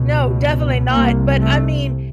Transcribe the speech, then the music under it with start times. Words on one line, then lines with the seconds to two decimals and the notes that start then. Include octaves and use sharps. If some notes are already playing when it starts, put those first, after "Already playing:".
No, definitely not, but, I mean,
Already playing: C#2 B2
0.90 C2 C3 A#3
1.40 A3